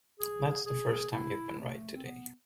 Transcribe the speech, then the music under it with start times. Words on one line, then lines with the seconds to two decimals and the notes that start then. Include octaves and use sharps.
That's the first time you've been right today.
0.20 G#4
0.66 G#4
1.13 E4
1.59 A3
1.95 C4
2.04 B3